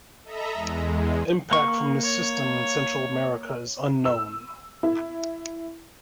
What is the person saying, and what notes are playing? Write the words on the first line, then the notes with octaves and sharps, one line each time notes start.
Impact from this system in Central America is unknown.
A4 D#5 E5 A#5 B5
E2 G#3
A#3 C#6
C#5
E6
E4